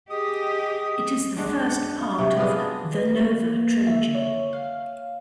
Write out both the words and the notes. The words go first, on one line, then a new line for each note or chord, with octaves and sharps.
It is the first part of "The Nova Trilogy".
G4 G#4 D#5 D#6
D3 G#3 D4 F#4
F#5
F4
C3 F#3
B3 D4 F4 G#4
B4
A#3
E5
C#5
F5